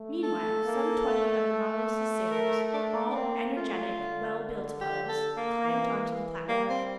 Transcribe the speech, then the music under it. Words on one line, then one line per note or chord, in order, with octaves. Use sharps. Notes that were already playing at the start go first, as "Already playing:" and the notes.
Meanwhile some twenty of the Nautilus's sailors--all energetic, well-built fellows--climbed onto the platform.
Already playing: A3
A4
A#3
A3
A#4
D4
D4
A#3 C4
A3 F4
D3
G4
A4
A#3
E3
G3 A#3
C4